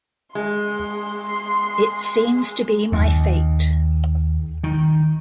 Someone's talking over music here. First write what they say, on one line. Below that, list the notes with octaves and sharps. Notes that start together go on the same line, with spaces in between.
It seems to be my fate.
G#3 C6
D#2
D#3